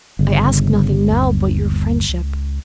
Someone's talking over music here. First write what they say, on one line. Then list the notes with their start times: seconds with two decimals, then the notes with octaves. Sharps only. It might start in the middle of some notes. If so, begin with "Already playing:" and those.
I ask nothing now but your friendship.
0.19 G1 C#3
1.09 D#2
2.09 C#2